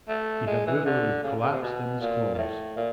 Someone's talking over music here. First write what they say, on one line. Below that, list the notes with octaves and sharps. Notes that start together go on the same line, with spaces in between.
He had literally collapsed in his clothes.
A3
G#3
E3
D3
C#3
C#3
C3
B2
A#2
A#2
A2
A#2